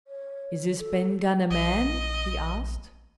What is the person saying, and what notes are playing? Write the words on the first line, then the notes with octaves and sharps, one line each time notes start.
"Is this Ben Gunn a man?" he asked.
C#5
A4
A#1 D#5